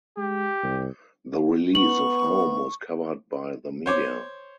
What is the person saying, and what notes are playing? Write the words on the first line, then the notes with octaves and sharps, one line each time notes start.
The release of "Home" was covered by the media.
G#3 G4
C2
B3 C#6 F#7
C5 C#5 D6